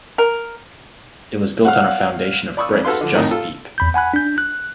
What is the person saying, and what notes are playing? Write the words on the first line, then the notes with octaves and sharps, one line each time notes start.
It was built on a foundation of bricks just deep.
A#4
F5 F#5
D5 B5 C#6 D#6 E6
F2 C#4 D4
F#4 A4 B4 F5 C6
D3 F3
F2 A2 D#3
F4 A4
E2 B5 G6
F#5 G#5 B5 F#6
D4 G6
F#6